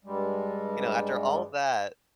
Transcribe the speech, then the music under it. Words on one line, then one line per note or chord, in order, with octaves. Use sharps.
you know, "After all that,"
G2 G3 G#3